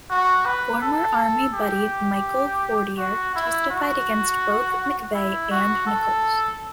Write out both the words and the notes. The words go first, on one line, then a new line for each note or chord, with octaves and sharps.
Former army buddy Michael Fortier testified against both McVeigh and Nichols.
F#4
B4
A4
G4
F#4
E4
F#4
E4
F#4
A4